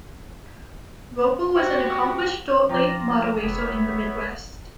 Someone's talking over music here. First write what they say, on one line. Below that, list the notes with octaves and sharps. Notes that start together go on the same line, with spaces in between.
Roper was an accomplished dirt late model racer in the Midwest.
F#4 G4 C5
F3
F3 F4 G5 A#5 D6 A#6
F1 B3 C#5 E5